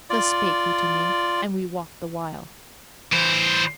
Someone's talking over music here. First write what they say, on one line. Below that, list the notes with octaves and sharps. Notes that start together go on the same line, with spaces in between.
Thus spake he to me, and we walked the while.
F4 D5
E3 C5